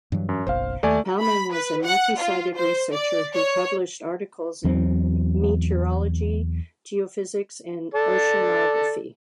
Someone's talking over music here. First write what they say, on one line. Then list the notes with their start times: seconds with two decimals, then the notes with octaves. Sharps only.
Palmen was a multisided researcher who published articles in meteorology, geophysics and oceanography.
0.12 G2 E3 F#3
0.29 F#2
0.47 F#1 B1 C5 F5
0.83 D#2 A3 D5 G#5
1.21 B5
1.52 B4
1.85 F#5
2.20 F4
2.57 C5
2.93 D5
3.33 C#5
4.64 E2 F#3 C4
7.94 A4 D5